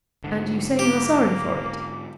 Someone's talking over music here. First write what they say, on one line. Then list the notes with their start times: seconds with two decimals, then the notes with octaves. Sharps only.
"And you say you are sorry for it."
0.24 G#2 D3
0.79 A#3 G4